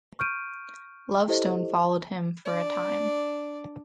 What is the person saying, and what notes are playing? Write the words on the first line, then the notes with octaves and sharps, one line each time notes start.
Lovestone followed him for a time.
C#6 F6 G6 D7 D#7
E4 G4 A4 C5 D#5
D4 D5